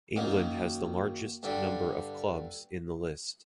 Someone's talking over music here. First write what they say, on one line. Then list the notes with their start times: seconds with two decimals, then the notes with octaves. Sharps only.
England has the largest number of clubs in the list.
0.16 F#2 D#3 F#3 A#3
1.43 G2 D3 G3